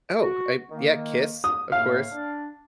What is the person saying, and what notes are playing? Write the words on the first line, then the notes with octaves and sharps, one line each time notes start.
Oh, I yeah, Kiss, of course.
F#4
D#3 A#3
D#6
A2 A#3 F5
D4